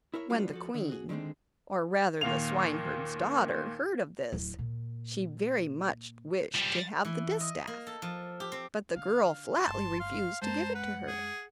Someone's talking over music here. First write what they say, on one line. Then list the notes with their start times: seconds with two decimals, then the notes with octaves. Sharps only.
When the queen--or, rather, the swineherd's daughter--heard of this, she very much wished to have the distaff, but the girl flatly refused to give it to her.
0.14 E4 A#4 C#5 E5
0.30 G3 A3 B3 D4 F4 F#4
0.51 F3 F#4 A4
0.74 D3 D#3
0.90 F#4 G#4
1.09 D3 D#3 G#3 C4 D4
2.21 D#2 A#2 F5 F7
4.32 D1
4.59 A#2
6.55 F3 G3
7.05 E3
7.40 D#5
7.67 A#3
7.87 A4
8.02 F3
8.40 G4
8.52 C4
8.96 D3 F5
9.67 G1 A2 A5 C6
10.00 F5
10.42 F#2 G#3 C5 A5 A#5
10.75 B4 F#5
11.07 G#4